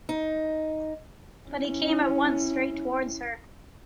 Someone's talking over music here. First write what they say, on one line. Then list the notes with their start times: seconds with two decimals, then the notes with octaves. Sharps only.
But he came at once straight towards her.
0.09 D#4
1.49 C#4 E4